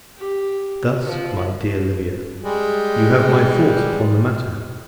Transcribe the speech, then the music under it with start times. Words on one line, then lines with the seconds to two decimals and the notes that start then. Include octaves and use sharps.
Thus, my dear Livia, you have my thoughts upon the matter.
0.17 G4
1.05 F3
2.43 G3 G#3